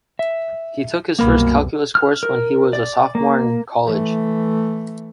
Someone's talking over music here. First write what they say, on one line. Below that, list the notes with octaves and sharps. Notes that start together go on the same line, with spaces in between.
He took his first calculus course when he was a sophomore in college.
E5
C2 F#2 B2 A#3 A#4 B5
F6
A#4
D5
A#3
E3 A3